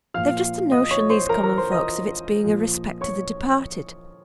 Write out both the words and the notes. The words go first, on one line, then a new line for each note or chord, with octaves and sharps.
They've just a notion, these common folks, of its being a respect to the departed.
A#2 F3 F5 F6
D#5 D#6
C#5 C#6
C5 C6
A#4 A#5
A#4 A#5
C5 C6
D#5 D#6
A#2 F3
C#5 C#6